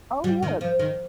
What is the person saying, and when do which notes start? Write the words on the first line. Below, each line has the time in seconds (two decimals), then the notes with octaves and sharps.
Oh, yeah.
0.24 G3
0.43 D#3
0.61 F3
0.79 D#3